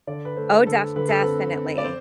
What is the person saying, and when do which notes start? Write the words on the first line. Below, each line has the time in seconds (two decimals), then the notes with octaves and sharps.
Oh, def definitely.
0.07 D3 D5
0.25 B4
0.37 A3 C5
0.66 D3 A4
0.96 D3 B4
1.09 A4
1.21 C4 B4
1.55 C4
1.78 D5
1.84 C5